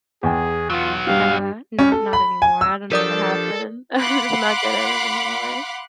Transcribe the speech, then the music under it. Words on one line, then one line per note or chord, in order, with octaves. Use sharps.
uh, not not anymore, I don't know what happened. I'm just not good at it anymore.
E2 G#4 G5
F#3 B3 F4
G2 G4 F5
C#4
A4
B5
G#5
E6
F3 D4 G4 A4 A#4 D5 D#6
F5 F#5 B5 C6 D6 F#6